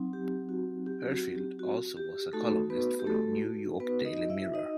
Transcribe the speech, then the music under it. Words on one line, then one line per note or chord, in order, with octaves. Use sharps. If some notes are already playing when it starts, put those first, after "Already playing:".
Hershfield also was a columnist for the "New York Daily Mirror".
Already playing: F#3 C4 D#4
G4
F#4
G4
F#4
G4
F#4
G4
A3 D#4 F#4 A4
B3 B4
G4
A3 A4
B3 B4
D#4 D#5
D#5
E4 E5
E5
D#4 D#5